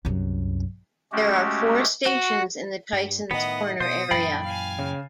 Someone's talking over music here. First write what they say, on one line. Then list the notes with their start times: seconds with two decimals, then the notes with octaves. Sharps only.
There are four stations in the Tysons Corner area.
0.05 C2 F#2
1.12 G#3 A3 C#4 F#4 G4
2.06 F#4
2.93 G2
3.31 A2 D#3 B3 D#5 F#5
3.80 B2 C5 D#6
4.11 F#2 A#2 E3 G5 B5 A6 C7
4.44 F5 G#5
4.79 C#3